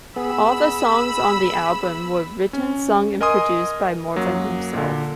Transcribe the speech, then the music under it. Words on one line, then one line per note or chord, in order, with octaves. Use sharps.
All the songs on the album were written, sung and produced by Morvan himself.
B3 G#4 B5 E6
C#4
A#4 D#5 G#5 C6 D#6
F#2 F#3 A#3
A#2 D3